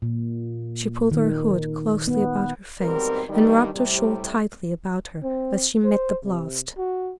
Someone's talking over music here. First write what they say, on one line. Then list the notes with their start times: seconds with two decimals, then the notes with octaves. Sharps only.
She pulled her hood closely about her face, and wrapped her shawl tightly about her as she met the blast.
0.02 A#2
1.11 D#3
2.07 B3
2.81 D#2 G#2 B2 G3 C4 A#4
3.29 G2 D#3 G3
3.75 A2 C3 G3
5.23 C4
5.84 C5
6.23 C3
6.78 F#4